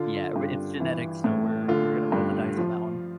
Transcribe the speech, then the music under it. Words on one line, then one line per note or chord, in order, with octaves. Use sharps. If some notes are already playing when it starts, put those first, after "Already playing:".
Yeah, we it's genetic, so we're we're gonna roll the dice on that one.
Already playing: D3 F4
G2
E3
A2
D3 F4
G2
F3